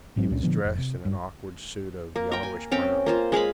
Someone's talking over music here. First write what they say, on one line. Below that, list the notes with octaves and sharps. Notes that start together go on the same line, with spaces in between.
He was dressed in an awkward suit of yellowish brown.
A1 G#2 F#3 C4
C#2 A#2 C#4 D4
A#2 D3 F3 B3
F1
C3
G2
A#3
A#4 G5
G#5
C4 C#4 F5 G5
A#3 F4 C5
G#3 G#4 F5 B5